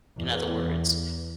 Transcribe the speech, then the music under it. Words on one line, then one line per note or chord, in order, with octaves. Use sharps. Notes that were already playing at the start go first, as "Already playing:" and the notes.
in other words.
E2